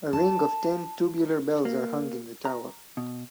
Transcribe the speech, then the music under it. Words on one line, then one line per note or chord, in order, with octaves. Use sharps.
A ring of ten tubular bells are hung in the tower.
A5
A#3
A#5
B2